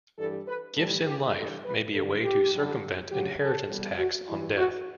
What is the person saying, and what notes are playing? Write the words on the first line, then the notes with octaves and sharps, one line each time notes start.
Gifts in life may be a way to circumvent inheritance tax on death.
G2 E3 G3 A4
B4
A2 E3 G3 A4
G4
G2 E3 G3 A4
B4
G2 D3 G3 A4
G4
F#2 D3 G3
D2 C#3 F#3 G4
A4
E2 B2 G3
F#4
F#2 E3 G3 E4
F#4